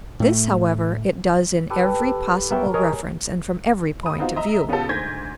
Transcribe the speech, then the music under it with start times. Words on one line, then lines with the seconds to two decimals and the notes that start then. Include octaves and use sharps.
This, however, it does in every possible reference and from every point of view.
0.20 A2 A3
1.70 G4 A4 B4
2.51 B3 A#4 C#5 E5 G5
2.74 G#4 A#4 C#5 D#5
4.03 B5 D#6
4.18 B3 C4 D#4 F4 F#4
4.36 D#5 E5 A#5
4.69 C#3 B3 C#4 F4 G4 A4
4.89 D2 G#2 G6 G#6 A#6 B6